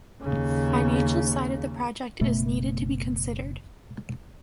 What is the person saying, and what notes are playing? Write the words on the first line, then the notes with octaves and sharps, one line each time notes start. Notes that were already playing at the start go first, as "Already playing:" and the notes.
Financial side of the project is needed to be considered.
D#2 C#3
F#1 B2 A3 B3